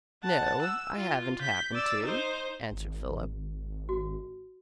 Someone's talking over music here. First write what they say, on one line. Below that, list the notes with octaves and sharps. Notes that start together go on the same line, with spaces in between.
"No, I haven't happened to," answered Philip.
F#5 A5
E6
F4
G6 B6
D5 E6
D#4 C5
G#1
F#4